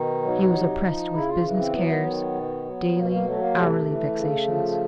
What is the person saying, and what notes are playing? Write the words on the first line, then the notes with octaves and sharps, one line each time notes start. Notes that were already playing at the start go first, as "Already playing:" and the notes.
He was oppressed with business cares; daily, hourly vexations.
Already playing: B2 D#3 D#4
F#3
C3
F3
C#3 E4
F4
E3
C4
F#3 B3
D#3
B2
F#3
B2 A#3
A#3
F#3 A3
A#3
C3 A3
E3
C#3
F3